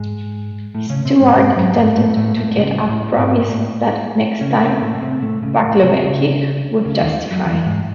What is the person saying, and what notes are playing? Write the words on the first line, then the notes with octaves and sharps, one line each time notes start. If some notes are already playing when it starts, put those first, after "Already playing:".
Stewart attempted to get a promise that next time, Blagojevich would testify.
Already playing: G#2 G#3
A2 A3
C#3 C#4
C3 C4
G#2 G#3
G#2 G#3
F#2 F#3
G#2 G#3
A2 A3
A2 A3
A2 A3
C#2 C#3
A2
G#2
A2
C#3 C#4
C3 C4
A2 A3
A3
C3 C4
A2 A3
C#2 C#3
A2
C2 C3
C#2 C#3
C#2 C#3
D#2 D#3
F#2 F#3
E2 E3
G#2 G#3